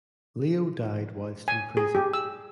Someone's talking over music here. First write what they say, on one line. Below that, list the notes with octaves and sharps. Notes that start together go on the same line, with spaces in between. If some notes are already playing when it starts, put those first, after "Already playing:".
Leo died whilst in prison.
G#5
G#4
G4
E6